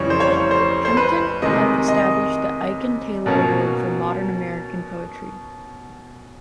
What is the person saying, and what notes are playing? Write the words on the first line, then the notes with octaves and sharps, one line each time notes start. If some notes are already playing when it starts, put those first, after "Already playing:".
Kempton helped establish the Aiken Taylor Award for Modern American Poetry.
Already playing: F2 C#3 E3 G3 C#5
C5
C#5
C5
C5
B4
C3 D#3 G#3 D#5
D#5
B2 F#3 A#3 C#4